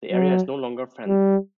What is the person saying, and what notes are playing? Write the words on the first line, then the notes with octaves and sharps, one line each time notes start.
The area is no longer fenced.
F#3
G3